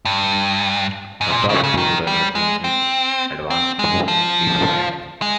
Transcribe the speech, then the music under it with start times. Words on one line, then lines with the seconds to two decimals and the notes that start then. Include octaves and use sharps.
The top two runners in each advanced to the final.
0.05 G2
1.21 G#2
1.30 C3
1.35 A#2
1.50 C#3
1.64 C#3
1.77 D#3
2.07 G3
2.35 G#3
2.64 C4
3.50 C4
3.79 G#3
4.08 F3
5.22 G#3